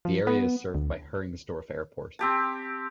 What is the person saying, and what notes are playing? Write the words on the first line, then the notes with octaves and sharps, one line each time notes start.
The area is served by Heringsdorf Airport.
F3
B3
D2
C4 G4 A5